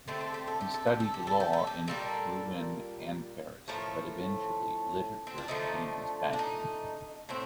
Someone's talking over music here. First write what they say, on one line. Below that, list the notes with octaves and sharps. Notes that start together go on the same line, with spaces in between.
He studied law in Rouen and Paris, but eventually literature became his passion.
D3 A3 C4 G4
A4
G4
A4
G4
A4
G4
A4
G4
A4
G4
A4
G4
A#2 G3 A#3 A4
A2 F3 A3 A#4
C4
D4
D3 F3 A3 D#4
D4
D#4
A2 A3 C4